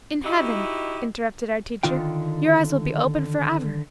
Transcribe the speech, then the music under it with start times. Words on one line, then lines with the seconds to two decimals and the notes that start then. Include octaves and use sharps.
"In Heaven," interrupted our teacher, "your eyes will be open forever."
0.25 D#4 E4 F#4 G4 D#5
1.83 D3 D#3 F4 G5